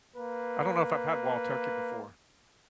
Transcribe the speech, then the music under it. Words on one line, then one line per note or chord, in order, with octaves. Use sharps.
I don't know if I've had wild turkey before.
A#3 B4